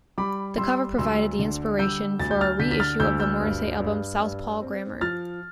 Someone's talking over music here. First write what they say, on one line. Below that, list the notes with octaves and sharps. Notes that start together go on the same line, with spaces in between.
The cover provided the inspiration for a re-issue of the Morrissey album, Southpaw Grammar.
G3 B5 D6
G3 C6 E6
D2 C6 E6
D3
G3 E6 G6
D2 A6
G6
F6 A6
D3 G6 B6
B6
F6 A6
D2 E6 G6
E6 G6
G2
G2
G2
C4
F3 F6 A6